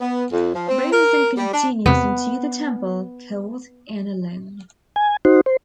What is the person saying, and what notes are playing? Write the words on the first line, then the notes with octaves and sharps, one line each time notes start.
Rose then continues into the temple, cold and alone.
B3
F2
F3
C4
A#4
G3
D4
E2 C3 B3
G#5
D#4 F#4 C5
C5